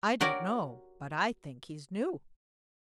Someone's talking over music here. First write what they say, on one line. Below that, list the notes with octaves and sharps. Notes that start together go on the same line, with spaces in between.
"I don't know, but I think he's new."
F#4 G4 A#4 C#5 D5